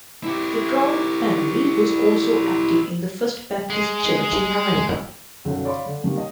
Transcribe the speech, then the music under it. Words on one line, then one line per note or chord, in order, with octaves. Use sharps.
The Drowne family was also active in the First Baptist Church in America.
E4 G4
G#3
B1 F#2 D3 D#3
C#5 D5 F5 B5 C6
D3
C3 D#3 G3 A#3
D#5